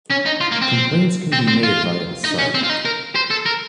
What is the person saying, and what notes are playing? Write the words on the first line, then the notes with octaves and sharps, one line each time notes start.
Complaints can be made via the site.
C#4
D#4
F4
A#3
C4
C4
C4
F4
D#4
C#4
C4
F4
D#4
A#4
C5
A4
A#4